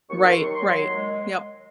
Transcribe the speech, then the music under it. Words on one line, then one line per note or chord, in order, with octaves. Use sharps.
Right, right. Yep.
D#2 C#6
D#2 C6
F#3 C#6
C6
F#3
C6
D#2
G#3